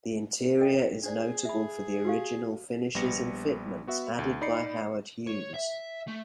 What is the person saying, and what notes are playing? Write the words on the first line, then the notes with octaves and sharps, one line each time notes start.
The interior is notable for the original finishes and fitments added by Howard Hughes.
A4 D#5 G5
D4 G#4 C5 D5
E5 B5
F#4 G4 F5
A#1 G3 B3 A#6 C#7
B3 F#4 E5
D2
D#4 D5 B5 C7 C#7
C#5
E5
A3